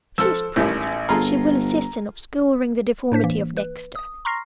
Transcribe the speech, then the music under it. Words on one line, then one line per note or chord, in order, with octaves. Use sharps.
She is pretty; she will assist in obscuring the deformity of Dexter.
F3 A4 E6
A1 A2 D#3 G3
G1 F4 G#4 A4 A#5
A2 D4 C5 B6
E3 A#3
B4
D#6
A#5 C6 C#6 F6 A#6 C7